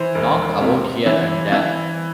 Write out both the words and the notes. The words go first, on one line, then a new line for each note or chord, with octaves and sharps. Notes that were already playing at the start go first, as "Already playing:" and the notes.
Knocked about here and there.
Already playing: E3 C5
E1
C3
E3
E3